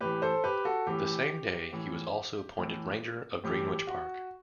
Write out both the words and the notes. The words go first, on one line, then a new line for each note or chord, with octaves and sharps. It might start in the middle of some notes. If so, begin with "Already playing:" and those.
The same day he was also appointed Ranger of Greenwich Park.
A2 E3 G4 B4
A4 C5
G4 B4
F#4 A4
A2 E3 G4
A2 E3
A2 E3
A2 E3 G4
F#4